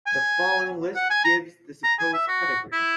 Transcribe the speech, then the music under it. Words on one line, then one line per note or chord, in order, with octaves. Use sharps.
The following list gives the supposed pedigree.
G#5
F#5
G#5
A#5
A#5
G#5
E5
F#4
E4